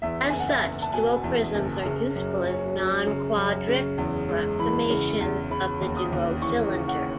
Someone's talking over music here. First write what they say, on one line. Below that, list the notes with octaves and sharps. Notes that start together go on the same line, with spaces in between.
As such, duoprisms are useful as non-quadric approximations of the duocylinder.
E2 E5
F#1 G#5
F#5
E5
F#1
A5
B2 G#5
E2
F#1
C#3
F#2
C#4
F#3
C#3
F#2
C#3
E2
G#3
E3 B5
C#3
E2
C#3 B5
D#2
D#6
D#2
E3 C#6
C#3
F#5